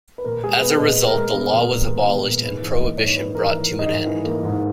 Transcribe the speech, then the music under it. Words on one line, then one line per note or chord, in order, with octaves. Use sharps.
As a result, the law was abolished and prohibition brought to an end.
B4
A#2 A#4
G#3 G#4
B3 B4
A#2 D#5
A#2
A#4
G#3
B3
A#2
A#2
G#3
B3
A#2
G#2 B4
E3
D#5
A#3
G#2 C#5
G#2 B4
E3 A#4
A#3
G#2
D#5
G#2
E3
A#3
G#2